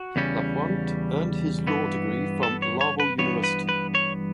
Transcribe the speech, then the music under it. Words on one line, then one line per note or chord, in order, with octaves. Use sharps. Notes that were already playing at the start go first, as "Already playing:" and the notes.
Lapointe earned his law degree from Laval University.
Already playing: F#4
E2 C#3 G3 C#4
G2 E3 B3
A4
C#5
C#5
B4
G2 E3 B3 C#5
B4
B4
C#5